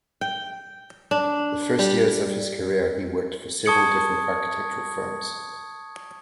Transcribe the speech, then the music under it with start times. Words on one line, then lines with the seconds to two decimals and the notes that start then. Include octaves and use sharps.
The first years of his career he worked for several different architectural firms.
0.21 G5
1.11 D4
1.79 G3
3.65 A5 C#6 D#6 G#6 C#7 F#7